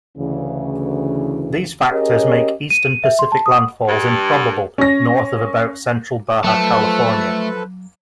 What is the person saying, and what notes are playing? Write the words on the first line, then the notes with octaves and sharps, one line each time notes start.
These factors make eastern Pacific landfalls improbable north of about central Baja California.
D2 C#3 E3
C#4 G4 G#4 A#4 C#5 D#5
D#7
E5
C6
A5
D#6
G2
C#4 A#6
F3 F#3 A3 A4 B4 A5